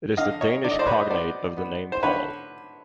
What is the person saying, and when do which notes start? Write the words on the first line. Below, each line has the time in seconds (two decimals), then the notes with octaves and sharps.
It is the Danish cognate of the name Paul.
0.17 D3 D#5 F5
0.41 C#5 D#5
0.64 D3 D5
0.71 D#5
0.79 C5 D5
0.87 B4 C#5
1.00 D#5
1.10 B3 C5 D5
1.57 B3
1.92 C5
2.03 D3 B4 C#5